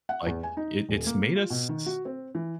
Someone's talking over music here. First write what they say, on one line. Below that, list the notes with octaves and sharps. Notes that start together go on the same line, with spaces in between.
like, it it's made us s
F#5
E2
G#5
D#4
D#1
A#3
F4
B2
D#3
F#4
C4
E3